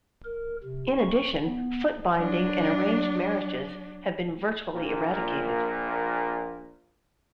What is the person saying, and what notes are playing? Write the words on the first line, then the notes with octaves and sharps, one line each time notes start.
In addition, foot binding and arranged marriages have been virtually eradicated.
A#4
C3
C#6
B3
F#3 D4
A#1 A#2